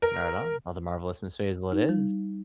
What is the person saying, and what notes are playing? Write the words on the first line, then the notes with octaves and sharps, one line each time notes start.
Right on. Oh, the Marvelous Miss Maisel it is.
A#4
D#4
G3